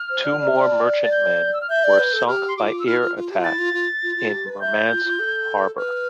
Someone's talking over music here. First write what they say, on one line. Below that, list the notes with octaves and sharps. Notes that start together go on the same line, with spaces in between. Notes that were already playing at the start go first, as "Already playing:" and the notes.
Two more merchantmen were sunk by air attack in Murmansk harbour.
Already playing: F6
C5
D5
D5
E5
D5
A6
G6
E6
F6
E5 G6
D5
B4
A4
G4 F6
C6
F4 G4 D6
E6
E4 F6
F4
F4
G4
F4
E4 A6
F4
F4
F4
F4
G4
B4
E5 G6
F4
F4
A4
B4 F6